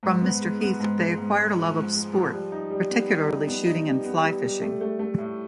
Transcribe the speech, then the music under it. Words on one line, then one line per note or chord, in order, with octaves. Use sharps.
From Mr. Heath they acquired a love of sport, particularly shooting and fly-fishing.
G#2
B3
G#3
B3
G#2
G#3
G#2
G#3
F3
G#2
G#3
F3
G3
D#4
G3
B3
G3
D#4
B3
D#4
G3
B3
G3
G3
A3
A3
A3
A2